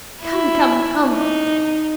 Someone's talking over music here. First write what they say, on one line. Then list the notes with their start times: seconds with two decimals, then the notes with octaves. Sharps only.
'Come, come, come!
0.23 E4
1.08 D#4